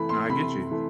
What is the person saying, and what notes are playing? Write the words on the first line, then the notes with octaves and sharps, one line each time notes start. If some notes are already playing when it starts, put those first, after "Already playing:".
Nah, I get you.
Already playing: C3 E3 A3 B5
C6
C3 B5
E3 A3